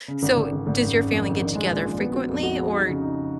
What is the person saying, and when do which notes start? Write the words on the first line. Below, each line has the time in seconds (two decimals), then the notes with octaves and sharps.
so, does your family get together frequently or
0.08 C#3
0.23 G#1
0.38 G#1
0.53 G#1
0.67 G#1
0.82 F#1
0.97 F#1
1.11 F2
1.25 D#3
1.40 A#1
1.55 G#3
1.70 A#2
1.85 A#1
1.99 B3
2.14 F#4
2.29 F2
2.43 F#4
2.58 G#4
2.73 D#4
2.88 C#3
3.02 D#4